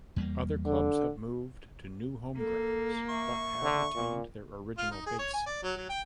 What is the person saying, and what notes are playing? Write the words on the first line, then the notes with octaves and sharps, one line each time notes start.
Other clubs have moved to new home grounds but have retained their original base.
E2 G3 A#3
D3
A#3 A4
E5 C#6
D3
A#2
F4
D#4
G#4
C#5
G#5
D5
F#3
F#3
G5